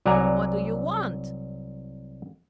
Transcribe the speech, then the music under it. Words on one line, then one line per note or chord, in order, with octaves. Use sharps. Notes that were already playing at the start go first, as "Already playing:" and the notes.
"What do you want?"
C2 F#3 D5 F#5 G#5 A#5